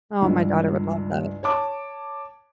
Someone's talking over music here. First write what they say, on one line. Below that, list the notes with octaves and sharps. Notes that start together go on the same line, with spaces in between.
Oh, my daughter would love that.
C#2 G2 E4
C#5 A5 D6